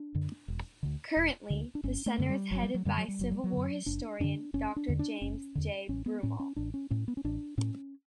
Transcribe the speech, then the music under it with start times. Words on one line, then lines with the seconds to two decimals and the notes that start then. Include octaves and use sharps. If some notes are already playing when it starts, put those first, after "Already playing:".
Currently the center is headed by Civil War historian Doctor James J. Broomall.
Already playing: D4
0.15 F#2 D3
0.48 E1
0.83 D2 D3
1.16 E1
1.50 D2 D3
1.75 D4
1.83 G1 C#4
2.06 A3
2.18 F#2 D3
2.29 G3
2.51 G1 F#3
2.63 G3
2.74 F#3
2.85 F#2 D3 G3
2.98 F#3
3.08 G3
3.19 F#1 F#3
3.31 G3
3.44 F#3
3.53 F#2 D3
3.86 F#1 D4
4.20 F#2 D3 D4
4.53 F#1 C#4
4.76 D4
4.88 E2 D3
4.99 D4
5.22 F#1 C#4
5.55 E2 D3
5.89 A1 C#4
6.06 B3
6.23 A2 C#4
6.40 C#4
6.56 A1 D4
6.74 C#4
6.90 A2 C#4
7.08 B3
7.17 C#4
7.24 A1 D4
7.58 A2 C#4